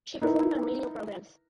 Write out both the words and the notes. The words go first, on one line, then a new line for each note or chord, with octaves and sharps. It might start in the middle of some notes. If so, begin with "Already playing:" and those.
She performed on radio programs.
D#4 E4 A#4 B4